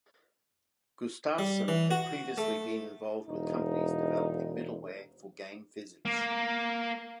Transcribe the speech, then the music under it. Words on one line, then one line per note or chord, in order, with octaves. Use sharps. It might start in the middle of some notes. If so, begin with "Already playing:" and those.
Gustafsson had previously been involved with companies developing middleware for game physics.
G3
E3
F#4
A3
E1 D#4
A#3